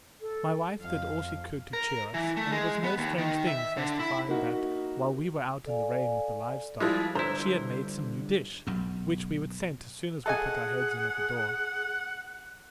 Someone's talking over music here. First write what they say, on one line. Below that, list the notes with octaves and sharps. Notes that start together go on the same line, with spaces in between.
My wife did all she could to cheer us, and it was no strange thing for us to find that while we were out in the rain with the live stock, she had made some new dish, which we would scent as soon as we put our heads in at the door.
A4
F2 F5
A#4
E3
A3
G#3
B3
D#2
D#3
E5
D3
E4
A#3 D#4 F#4 A#4
A4 D5 F5 G#5
F3 G3 G#3 E4
G1 G2 D3 E4 C5 A#5
B1 F#2
G#4 A4 D#5 F#5 G#5